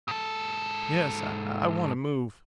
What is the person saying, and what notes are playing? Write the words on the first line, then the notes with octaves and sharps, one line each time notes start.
"Yes, I want to move."
G#2 A4